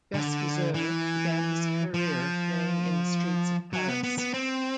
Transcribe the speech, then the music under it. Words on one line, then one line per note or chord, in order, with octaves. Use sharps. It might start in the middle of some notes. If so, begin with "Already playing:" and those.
Gus Viseur began his career playing in the streets of Paris.
D3
E3
F3
F#3
B3
B3
B3
C4